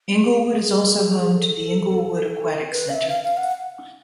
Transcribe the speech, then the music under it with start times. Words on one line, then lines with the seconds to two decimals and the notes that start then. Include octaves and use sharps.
Inglewood is also home to the Inglewood Aquatic Centre.
0.21 G#4
1.36 A4
2.51 A#4
2.71 B4
2.89 F5
2.94 E5
3.09 F5
3.24 F5
3.37 F#5